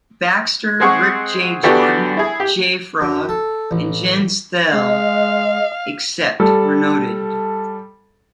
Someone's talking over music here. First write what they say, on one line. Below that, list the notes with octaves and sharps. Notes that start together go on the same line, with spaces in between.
Baxxter, Rick J. Jordan, Jay Frog, and Jens Thele, except where noted.
G#3 C4 G#4 F#5 C#6
D3 E3 B3 D4 F#4 G4
E4 G#4
G4
F#2
A4
A1
G#3 D#5 F5
G3 A4